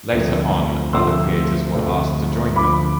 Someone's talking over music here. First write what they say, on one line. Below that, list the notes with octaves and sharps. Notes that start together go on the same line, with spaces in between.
Later on, other creators were asked to join them.
D2 C3 F3 A3
D2 C3 F3 A3 C6 E6
D2 C3 F3 A3
D2 D3 F3 B5 D6